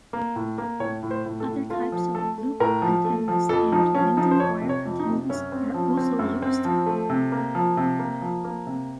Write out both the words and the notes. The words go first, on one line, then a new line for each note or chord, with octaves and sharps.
Other types of loop antennas and random wire antennas are also used.
A#3
A2
A#3
A2 C#5
A2
C5
A2
A4
A2
A3 F4
F3
A3 A4
A3
A2 A#4
F3
A3
F3
F2 A4
F3 D#4
F3 C#4
F3 D#4
C5
F2 C#5
C3
C#5
F2
D#4
C3
F#2 C#4
C4
F3
C4
F#2
C4
F3
A3
C3
A#3
F3
C3
A#3
F3
A#3
C3